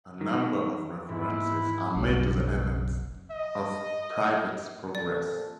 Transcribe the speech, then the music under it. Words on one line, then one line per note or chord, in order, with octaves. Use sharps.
A number of references are made to the events of "Private's Progress".
D#3
G#2 E4 B5
F#1 B1 F#3
D#5
A#2 C4 A4 D5